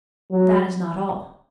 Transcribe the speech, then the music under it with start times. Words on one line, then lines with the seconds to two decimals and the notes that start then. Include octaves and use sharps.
But that is not all.
0.32 F#3